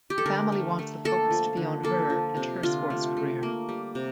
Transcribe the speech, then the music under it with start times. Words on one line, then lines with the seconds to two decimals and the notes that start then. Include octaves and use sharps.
The family wants the focus to be on her and her sports career.
0.10 G4
0.18 A4
0.26 D3 A#4
0.52 A3
0.79 A3
1.05 A#3 A4
1.31 F3
1.57 D3
1.83 A#3 A4
2.10 F3
2.37 C3
2.63 D3 F4
2.90 A3
3.17 A3
3.43 A#3
3.69 G3
3.95 C3